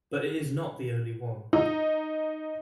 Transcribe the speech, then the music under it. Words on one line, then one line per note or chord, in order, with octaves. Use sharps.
But it is not the only one.
D#4